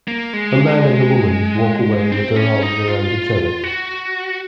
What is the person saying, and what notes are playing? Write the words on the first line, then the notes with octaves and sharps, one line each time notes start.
A man and a woman walk away with their arms around each other.
A#3
G#3
C4
C#4
D#4
F4
F#4